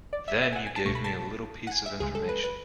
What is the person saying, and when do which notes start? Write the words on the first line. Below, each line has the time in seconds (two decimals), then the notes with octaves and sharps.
Then you gave me a little piece of information.
0.13 D5
0.28 E5
0.42 E5
0.53 G#5
0.56 F#5
0.66 G#5
0.76 A5
0.85 C#2 B2 A3 C#6
0.95 B5
1.04 A5
1.67 F#5
1.72 G#5
1.86 E5
2.00 C#2 C#3 G#3 G#4
2.15 A4
2.29 B4
2.44 B4